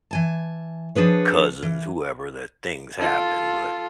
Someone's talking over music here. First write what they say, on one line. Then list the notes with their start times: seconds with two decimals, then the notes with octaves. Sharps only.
cousins, whoever that things happen but
0.11 E3 G#5 A5
0.95 F3 D4 G#4 B4 C#5
1.63 E3
2.99 F4 A4